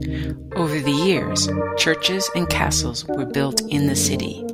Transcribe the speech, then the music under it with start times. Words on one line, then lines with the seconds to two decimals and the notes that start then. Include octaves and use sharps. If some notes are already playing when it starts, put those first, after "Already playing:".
Over the years, churches and castles were built in the city.
Already playing: D2 C3 D#3
0.51 A4 C5
0.84 A4 C5
1.15 F#2 D3 C5 D#5
1.48 A#4 D5
2.44 D#2 D#3
3.08 D4 F#4
3.30 A#3
3.52 A3
3.73 F#2 D3 A#3
3.84 A3
3.94 A#3
4.05 A3 C4
4.38 A#3